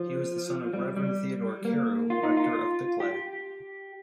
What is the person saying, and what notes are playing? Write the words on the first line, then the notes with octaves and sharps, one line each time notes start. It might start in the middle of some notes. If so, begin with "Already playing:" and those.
He was the son of Reverend Theodore Carew, rector of Bickleigh.
Already playing: F3
G3
G3
A#3
F4
D#4
F4
G4